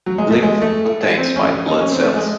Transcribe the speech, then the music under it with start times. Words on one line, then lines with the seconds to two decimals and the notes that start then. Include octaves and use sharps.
Lymph contains white blood cells.
0.06 F#3
0.18 G#3
0.31 A3
0.43 G#3
0.62 A3
1.17 C4
1.36 C#4
1.55 C#4
1.66 D#4
1.79 C#4
1.92 C4
2.03 A3
2.15 G#3